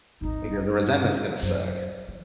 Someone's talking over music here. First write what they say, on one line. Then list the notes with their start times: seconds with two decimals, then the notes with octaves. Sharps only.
Because the resentment's gonna suck.
0.21 G#1 D#2 D#4
0.45 G2
1.42 F#2 C5
2.08 E3